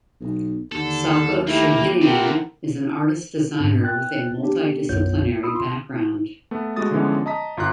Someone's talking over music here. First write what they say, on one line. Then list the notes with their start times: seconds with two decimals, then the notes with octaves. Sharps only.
Sako Shahinian is an artist designer with a multi disciplinary background.
0.21 B1
0.72 D#2 D3 A4
1.47 A3 A#3 D4 E4 G4
2.02 C4 E4 G4 A4 A#4 F#5
3.59 G#2 C4 D4
3.84 G5 F#6 A6
4.43 B3 D4 G4
4.89 B1 F#2 B3 F4 C#5 G6
5.43 F4 B5 D#6 E6
5.56 C6
6.51 A3 B3
6.76 G#3 A3 F#4 D#6 A6
6.91 D3 E3 F3 G#3 B3 C#4
7.26 D#5 A5 A#5 D#6 B6
7.57 G1 F4 A#5 F#6